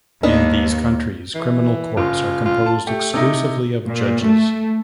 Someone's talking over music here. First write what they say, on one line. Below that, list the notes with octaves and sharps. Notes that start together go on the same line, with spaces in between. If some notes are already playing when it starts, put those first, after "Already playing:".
In these countries, criminal courts are composed exclusively of judges.
D#2 B3 D4 D#4
E3
F#1 F4
F4
A5
A3 G4
C3 D#4 E4
A#2
A3